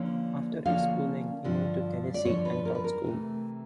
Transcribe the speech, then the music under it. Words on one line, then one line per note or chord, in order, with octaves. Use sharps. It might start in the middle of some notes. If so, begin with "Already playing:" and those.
After his schooling, he moved to Tennessee and taught school.
Already playing: D3 F3 A#3 C#4
D3 F3 A#3 C#4 F5
G2 D3 F3
D5
G2 D3 F3 C#5
B4
A#4
B4
A#4
C3 E3 A3